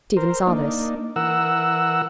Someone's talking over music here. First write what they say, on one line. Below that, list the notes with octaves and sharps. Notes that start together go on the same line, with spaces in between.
Stephen saw this.
A#4 C5
A#3 D4 D#4
E3 A#4 F#5 E6